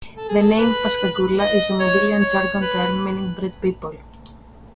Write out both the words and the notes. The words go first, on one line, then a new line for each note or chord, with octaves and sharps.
The name "Pascagoula" is a Mobilian Jargon term meaning "bread people".
A4
G#4
A4
B4
D#5
C#5
C#5
B4